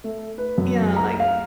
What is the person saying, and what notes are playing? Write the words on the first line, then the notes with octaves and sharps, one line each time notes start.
yeah, like
A3
B4
F#2
A#5
F5